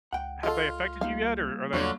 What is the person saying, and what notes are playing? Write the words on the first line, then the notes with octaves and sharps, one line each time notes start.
have they affected you yet, or are they
C#2 F#5 G5
G#3 F4 A4
G3 A#3 D#4 F5
E2 D3 F#3 F4